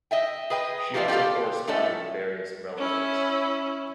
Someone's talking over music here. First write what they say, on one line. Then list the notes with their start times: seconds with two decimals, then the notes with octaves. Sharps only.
She also corresponded with various relatives.
0.11 D#5 E5 G5
0.50 G#4 B4 D#5 G5
0.94 F3 A#3 E4 F4 G4 E5
1.08 C4 G4 A4 F5
1.67 A2 A3 C#4 E4 A4
2.78 C#4 E4